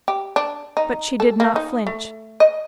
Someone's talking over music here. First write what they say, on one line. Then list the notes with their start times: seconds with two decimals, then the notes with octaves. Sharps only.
But she did not flinch.
0.08 G4
0.36 D4
0.77 D#4
1.20 A4
1.40 A#3
1.56 D#4
1.87 A3
2.40 D#5